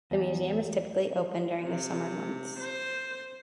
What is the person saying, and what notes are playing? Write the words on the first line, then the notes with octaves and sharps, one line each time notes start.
The museum is typically open during the summer months.
E2
C3
C5